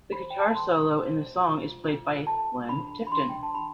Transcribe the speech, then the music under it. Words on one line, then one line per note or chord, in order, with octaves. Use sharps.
The guitar solo in the song is played by Glenn Tipton.
C5 B5
G5
A5
B5
A4 C6
C5
F4
F4
A4 A5
D4 B5
B5
D4 C6
G5
A5
D4 B5